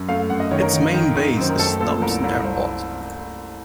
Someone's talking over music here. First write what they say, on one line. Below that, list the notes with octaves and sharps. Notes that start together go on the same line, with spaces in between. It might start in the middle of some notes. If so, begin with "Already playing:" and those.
Its main base is Thompson Airport.
Already playing: F#2
A3 F5
F#2 F#5
D#5
D#3 C#5
A#4
D#3
D#3
D#3
F#2 C5
A#4
A3 A4
A#2 A4
C2 A#4
C2
C2 C5